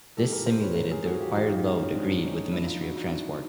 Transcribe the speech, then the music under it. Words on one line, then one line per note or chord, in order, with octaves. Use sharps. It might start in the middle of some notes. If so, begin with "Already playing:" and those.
This simulated the required load agreed with the Ministry of Transport.
G#2 E3 G4 A4
G#4 A#4
A#4 C5
B4 C#5
G#2 E3 A#4 C5
G#4 A#4
F#4 G#4
F4 G4
G#2 E3 F4 G4
D#4 F4
C#4 D#4
G#2 E3 C4 D4
C#4 D#4
A#2 F3 D4 E4
D#4 F4
E4 F#4
D#4 F4
A#2 F3 D4 E4